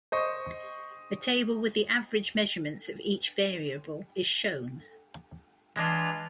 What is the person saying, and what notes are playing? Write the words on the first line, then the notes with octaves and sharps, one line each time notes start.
A table with the average measurements of each variable is shown.
C5 D#5 C#6
E3 G#3 D4 F4